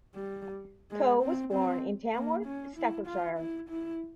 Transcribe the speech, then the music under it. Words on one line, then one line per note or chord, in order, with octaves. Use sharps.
Coe was born in Tamworth, Staffordshire.
G3
G#3
C4
C4
A#3
C#4
E4
F4
E4
E4